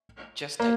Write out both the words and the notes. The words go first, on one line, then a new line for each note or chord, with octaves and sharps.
just to
A#3